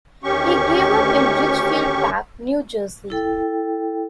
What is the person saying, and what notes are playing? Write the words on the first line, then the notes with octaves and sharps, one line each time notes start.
He grew up in Ridgefield Park, New Jersey.
D2 D#3 C#4 G4 C#6
E4 A4 G5